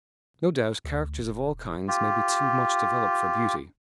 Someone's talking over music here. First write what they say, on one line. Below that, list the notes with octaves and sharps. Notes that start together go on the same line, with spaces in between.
No doubt characters of all kinds may be too much developed for beauty.
D2
E1
F4 G4